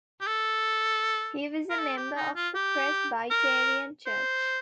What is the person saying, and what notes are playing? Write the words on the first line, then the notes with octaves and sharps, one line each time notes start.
He was a member of the Presbyterian Church.
G4
A4
A#4
A4
G4
D#4
F4
G4
A#4
C5